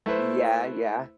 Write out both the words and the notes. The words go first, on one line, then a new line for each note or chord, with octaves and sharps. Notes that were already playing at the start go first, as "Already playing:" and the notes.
Yeah, yeah.
A3 E4 B4 C5